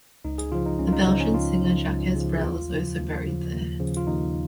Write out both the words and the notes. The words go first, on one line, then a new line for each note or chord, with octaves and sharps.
The Belgian singer Jacques Brel is also buried there.
C#2 D#4
G#4
C#3 F3 F4
D#4
C#2 C#4
F4
D#4
C#3 F3 D#4
C#4
C#2 F4
C#3 F3
C#2
C#3 F3
G#4
D#2 F4
C#3 F3
D#2
C#3 F3
D#2
C#3 F3
F4
D#2 D#4